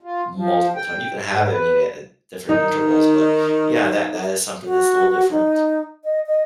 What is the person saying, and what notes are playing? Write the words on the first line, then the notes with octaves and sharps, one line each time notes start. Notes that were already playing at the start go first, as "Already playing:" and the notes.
multiple times. You can have it, I mean, at different intervals, but, yeah, that that is something that's a little different.
F4
F3
G5
G#2
B4
D#3 D#4
F#4
D#4
D#5
D#5